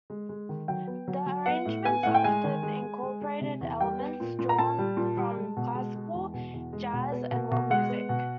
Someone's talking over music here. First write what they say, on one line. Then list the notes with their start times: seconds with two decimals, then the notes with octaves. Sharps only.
The arrangements often incorporated elements drawn from classical, jazz, and world music.
0.10 G#3
0.29 G#3
0.49 D#3
0.68 F#3 G5
0.87 B3
1.08 F#3
1.26 F#3
1.46 B3 F#5
1.66 A2
1.85 B3 G#5
2.03 A2 F#5
2.14 G5
2.24 G#3 G#5
2.44 D#3
2.63 G#3
2.82 G#3
3.03 G#3
3.21 G#3
3.41 C3
3.61 E2
3.81 G3 G5
3.99 B3
4.20 A#2
4.39 A#2
4.49 A#5
4.58 A#2 A5
4.78 G3
4.97 A#2
5.17 G3
5.36 G#3
5.56 B2
5.75 G#3
5.95 G#3
6.14 E2
6.34 B2
6.54 E2
6.73 G#3
6.93 B2
7.12 B3
7.31 B2
7.51 B2
7.70 G#3 F#5
7.90 B3
8.09 B2